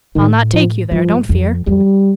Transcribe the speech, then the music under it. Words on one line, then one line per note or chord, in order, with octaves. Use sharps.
"I'll not take you there, don't fear."
A2 D#3
F3
G2 F3
F2
F2 G3